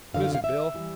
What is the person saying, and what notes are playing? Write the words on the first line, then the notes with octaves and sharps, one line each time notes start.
What is it, Bill?'
F#2 D3 F#3 F5
F5
F5
E5
E3 G3